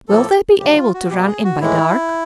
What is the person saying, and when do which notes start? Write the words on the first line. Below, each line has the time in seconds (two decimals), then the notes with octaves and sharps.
"Will they be able to run in by dark?"
0.09 A2 F3 A#3 A4
0.59 D2 C#3 F#3 G4
0.77 F4
0.94 F#4
1.10 B2 G3 A#3 G4
1.28 G#4
1.44 F#4
1.60 A2 E3 G#3 E4